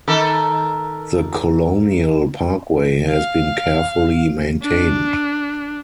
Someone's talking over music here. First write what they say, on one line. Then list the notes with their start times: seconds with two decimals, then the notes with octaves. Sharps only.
The Colonial Parkway has been carefully maintained.
0.08 D#3 A4 A#4
3.10 F5
4.62 D4